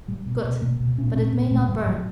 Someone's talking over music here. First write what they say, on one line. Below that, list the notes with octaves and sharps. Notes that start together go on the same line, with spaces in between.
Good, but it may not burn.
A2 G3
B2
B2
B2 A#3
B2
A#2 C#4
C4
A#2 C#4
C4
A#2
A#2 A3
A2 G3
A2 F#3